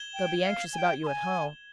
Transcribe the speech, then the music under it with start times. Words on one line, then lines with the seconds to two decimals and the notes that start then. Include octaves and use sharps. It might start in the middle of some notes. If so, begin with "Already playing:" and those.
They'll be anxious about you at home.
Already playing: G#6 E7 G7
0.14 G5
0.43 F5
0.73 G#5
0.78 G5
1.03 C6
1.07 G#5